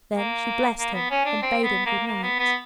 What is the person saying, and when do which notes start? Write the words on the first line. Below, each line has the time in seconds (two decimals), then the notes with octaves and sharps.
Then she blessed him, and bade him good-night.
0.14 A#3
0.78 A#3
0.93 B3
1.10 C#4
1.25 D4
1.42 C4
1.63 B3
1.86 A#3
2.07 A#3
2.23 B3
2.39 B3